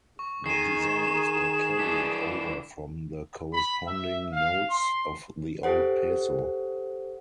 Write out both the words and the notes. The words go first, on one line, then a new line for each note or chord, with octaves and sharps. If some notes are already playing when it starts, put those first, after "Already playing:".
The designs were carried over from the corresponding notes of the old peso.
C#6
D#3 G#4 C7 D#7 E7
E3 D4 B6
B5
E5
F5
C6
G4 A4 C5 F#5